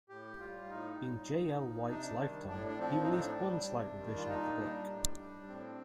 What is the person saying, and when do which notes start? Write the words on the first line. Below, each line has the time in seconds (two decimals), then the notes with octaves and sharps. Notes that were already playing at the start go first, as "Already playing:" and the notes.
In J. L. White's lifetime, he released one slight revision of the book.
0.09 A2 G4
0.39 G3 F4
0.69 A2 D#4
0.99 G3
1.29 A#2
1.59 F3
1.89 C3 D4
2.19 D#3 G3
2.48 A2 D4
2.67 D4
2.79 F3 C4
3.04 D#4
3.08 A2 D4
3.38 G3
3.68 C3
3.98 D#3 G3
4.17 F4
4.28 A#2 D#4
4.58 G3 D4
4.89 A2
5.18 G3
5.48 A2 C4